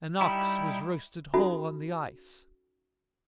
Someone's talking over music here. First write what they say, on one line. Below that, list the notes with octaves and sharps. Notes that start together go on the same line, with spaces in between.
An ox was roasted whole on the ice.
G3 D#4 E4 G4
C#4 D#4 F#4 A4 E5 B5